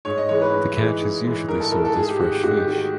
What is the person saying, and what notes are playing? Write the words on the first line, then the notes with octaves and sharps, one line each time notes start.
The catch is usually sold as fresh fish.
G#2 C#5
D#5
E3 G#3 C#5
B4
G#2
E3 G#3
G#2
E3 G#3
G#2 A#4
A4
E3 G#3 A#4
A4
G#2 G#4
G4
D#3 G#3 F#4
G4
G#2 F#4
G4
D#3 G#3